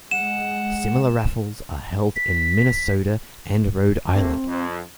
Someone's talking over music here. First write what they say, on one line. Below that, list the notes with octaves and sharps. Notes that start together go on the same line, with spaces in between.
Similar raffles are held in Minnesota and Rhode Island.
G#3 F#5 E7
B6
C3 A3 A#3 C4
F2